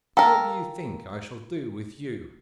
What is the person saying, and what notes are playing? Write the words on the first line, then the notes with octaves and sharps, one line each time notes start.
What do you think I shall do with you?'
A4 A#4 F5 G5 A#5